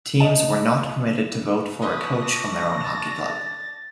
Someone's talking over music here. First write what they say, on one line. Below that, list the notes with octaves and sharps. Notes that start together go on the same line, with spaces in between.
Teams were not permitted to vote for a coach from their own hockey club.
D#5 A5
D4 B4 C#6 D#6
A#6
A6